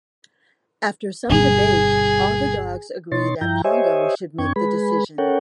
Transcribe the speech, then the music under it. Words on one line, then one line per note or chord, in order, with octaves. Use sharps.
After some debate, all the dogs agree that Pongo should make the decision.
G1 B2 G3 G#4
B2 D#4 C#5 C6 A6
G2 F3 E4 G5 A#5 G6
G4 C5 C#5 D#5 E5 G#5
F#2 C4 D4 G5 C#6 G#6
G#3 G#4 B4 B5
C#4 A4 A#4 C#5 F#5 G5